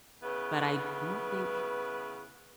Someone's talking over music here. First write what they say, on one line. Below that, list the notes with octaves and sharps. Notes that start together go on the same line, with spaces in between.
but I don't think
C#3 B3 E4 B4